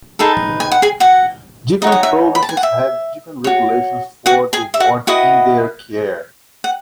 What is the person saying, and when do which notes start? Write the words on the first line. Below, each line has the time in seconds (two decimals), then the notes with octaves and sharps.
Different provinces have different regulations for the wards in their care.
0.19 D#4 G#4 A4 B4 A5
0.60 G#5
0.72 F#5
0.82 G#4 G#5
1.00 F#4 F#5
1.82 D#4 F#4 C#5 D#5
1.92 F#5
2.03 E5
2.35 B5
2.43 A5
2.49 G#5
2.57 F#5
2.63 E5
3.44 F#4 C#5
4.26 F#4 F#5
4.53 G#4 G#5
4.74 E5
4.80 F#4 F#5
5.07 E4 F#4 B4 D#5 F#5
6.64 F#5